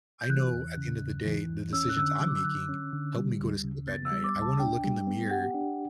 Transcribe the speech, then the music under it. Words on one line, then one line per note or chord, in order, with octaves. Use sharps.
I know at the end of the day, the decisions I'm making help me go to sleep at night. I wanna look in the mirror,
G6
E3 F#6
E2
C#3
E2
E3
E2
C#4 E6
F#6
D3 E6
F#3
D6
E6
D3 F#6
C#4
D3
G3
D2
C#3
B3 A6
E6
G3
D6
D2
A5
D4 G5
G3
B3
G4 F#5
D4